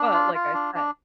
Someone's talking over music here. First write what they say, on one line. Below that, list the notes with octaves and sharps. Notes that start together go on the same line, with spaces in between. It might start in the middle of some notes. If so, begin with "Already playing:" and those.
But like I said,
Already playing: D4
F4
F4
D4
D4